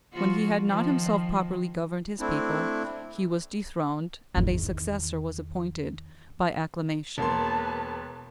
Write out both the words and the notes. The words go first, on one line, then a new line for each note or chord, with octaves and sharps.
When he had not himself properly governed his people, he was dethroned, and a successor was appointed by acclamation.
F3 F4 F#4
D#3 F3
A3 C4 D4 E4
E2 D#3
E1 A#3 B4 A5 C6